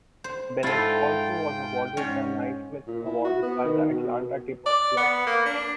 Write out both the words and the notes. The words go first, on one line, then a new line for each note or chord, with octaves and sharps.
Bennett also was awarded the Naismith Award by the Atlanta Tip of Club.
C5
G#2 E4 F4 A4 G5
G#2 C#4
A#2
E4
F#4
B3
D#3
B2
D5
B3
A#3
D4